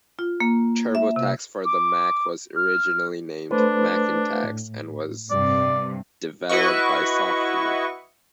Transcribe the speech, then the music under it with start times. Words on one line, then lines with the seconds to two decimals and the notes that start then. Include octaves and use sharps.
TurboTax for the Mac was originally named MacinTax, and was developed by SoftView.
0.19 F4
0.40 A#3
0.95 E5
1.16 C3
1.65 D6
2.56 F6
3.51 A3 D4 B4 C5
4.44 A2
5.31 G2 C3 D5
6.49 E4 F#4 B4 D#5 C#6